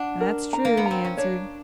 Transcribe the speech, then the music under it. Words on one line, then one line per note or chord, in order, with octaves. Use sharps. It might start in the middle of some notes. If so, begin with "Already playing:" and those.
"That's true," he answered.
Already playing: D4 F#5
A#4
A#5
A#3
B3
C4 A#5
C#4
D4 C#5